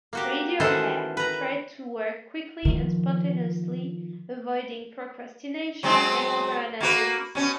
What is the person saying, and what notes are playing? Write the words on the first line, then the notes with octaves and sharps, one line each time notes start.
Radiohead tried to work quickly and spontaneously, avoiding procrastination and over-analysis.
A#3 F#4 G4
D#3 E3 C#4 F#4 A4 C5
B4 A#5
D#3 F3
F#3 G#3 C4
A#3 F#4 B4
B2 C#4